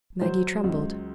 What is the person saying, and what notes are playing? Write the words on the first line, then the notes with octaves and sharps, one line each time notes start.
Maggie trembled.
F#3 C5
C#2